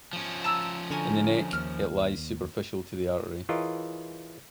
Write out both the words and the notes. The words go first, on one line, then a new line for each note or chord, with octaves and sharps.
In the neck it lies superficial to the artery.
F3 C#4
A5 A#5 E6
D3 F#4 A#4 G#5
D#2 F6
E3 F4 G#4 A#4 C#5 D#5